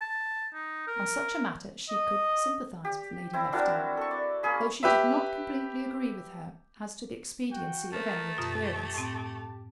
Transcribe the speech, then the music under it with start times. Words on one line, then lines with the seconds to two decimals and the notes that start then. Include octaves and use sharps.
On such a matter she could sympathize with Lady Lufton, though she did not completely agree with her as to the expediency of any interference.
0.01 A5
0.54 D#4
0.87 A#4
1.90 D#5
2.85 G4
3.33 C4 E4
3.53 D4 E4 F#4 A#4
3.97 A4 C#6
4.11 D5
4.43 A#3 C#4 G#4 B5
4.83 G4 B4 E5
7.51 F#4 G5
7.92 A3 A#4
8.38 F#2 B2 F4 G4 A5
8.95 A2 C4